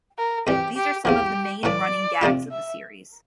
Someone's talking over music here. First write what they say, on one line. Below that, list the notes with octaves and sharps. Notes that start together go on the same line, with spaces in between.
These are some of the main running gags of the series.
A#4
F2 E3 G3 G4
G4
E2 D3 F3 G4
A2 E3 A3 D5
C3 F3 A3 D4 F4
E5